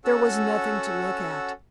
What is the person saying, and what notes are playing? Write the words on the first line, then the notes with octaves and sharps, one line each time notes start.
There was nothing to look at.
C#4 F#4 A4 F#5 E6